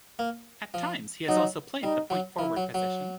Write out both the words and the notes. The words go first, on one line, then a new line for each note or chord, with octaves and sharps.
At times he has also played the point forward position.
A#3
F3
F#3 D#4
G3 D#4
F#3
F3 E4
F#3
F#3